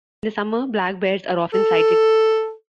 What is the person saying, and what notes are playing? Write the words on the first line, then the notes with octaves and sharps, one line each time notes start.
In the summer black bears are often sighted.
A4